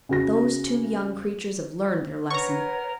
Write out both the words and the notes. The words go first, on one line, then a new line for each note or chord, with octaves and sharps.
Those two young creatures have learned their lesson.
C#3 F#4 A#6
A#4 B4 C#5 F#5 A#5 C#6